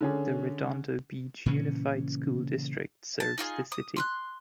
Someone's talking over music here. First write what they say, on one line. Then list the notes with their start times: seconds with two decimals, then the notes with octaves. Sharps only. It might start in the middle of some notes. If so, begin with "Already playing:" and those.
The Redondo Beach Unified School District serves the city.
0.01 D3 C#4 G#4
1.46 A#2 C#3 E3 C#4
3.20 A5
3.38 D#4 F4 F#4 G#4
3.72 D#6
3.96 C6 E6 F#6